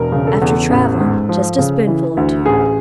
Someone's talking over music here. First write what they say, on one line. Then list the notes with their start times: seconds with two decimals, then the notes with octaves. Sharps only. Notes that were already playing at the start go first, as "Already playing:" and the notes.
After travellin'--just a spoonful or two.'
Already playing: E1 A#4
0.12 C#3
0.27 A4
0.42 E2
0.70 A1
1.00 G#2
1.29 F3
1.58 C#3
1.87 E3
2.17 D2
2.45 A1 G#4